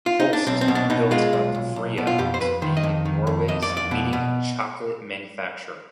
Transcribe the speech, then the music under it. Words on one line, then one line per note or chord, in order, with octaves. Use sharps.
Holst built up Freia to be Norway's leading chocolate manufacturer.
F4
D#4
D4
B1 C4
C4
B2
D4
B2 D#4
G#3 F4
B1
B1
B1
B2
F4
F2 G4
C5
F2 B4
D#3 C5
D#5
F2
D#3
F2
F2 D#5
D5
F2
D5
B2
B2